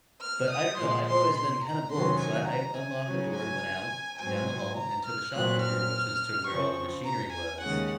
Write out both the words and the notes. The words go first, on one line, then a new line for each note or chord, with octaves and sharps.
But I don't know, I've always been kinda bold, so I I unlocked the door and went out down the hall and to the shop door, which is to where all the machinery was.
F6
D#6
A#2 F3 G#3 C6
C6
C6
A#5
C3 D#3 F#3 C#4 C6
G#5
A#5
G#5
C#3 F#3 C#4
G#5
G#2 F#3 C4 G#5
A#5
F6
A#2 F#3 C4 F#6
F6
C#3 F3 C4 C#6
A#5
G#5
D#2 C#3 G#3 C#4 F#5